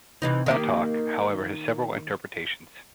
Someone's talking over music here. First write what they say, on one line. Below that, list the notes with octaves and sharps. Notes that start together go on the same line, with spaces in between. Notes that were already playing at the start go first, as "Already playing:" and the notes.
"Batok", however, has several interpretations.
C3 E3 D#4
D#3 A#3 G4